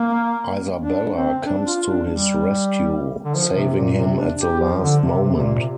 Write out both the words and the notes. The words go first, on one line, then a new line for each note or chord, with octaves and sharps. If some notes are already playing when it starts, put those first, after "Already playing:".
Isabella comes to his rescue, saving him at the last moment.
Already playing: A#3
D4
C4
D4
F4
D4
G3
D3
F3
C3
A#2
C3
D4
G4
F3
D3
C3
C3
C3
A#2
C3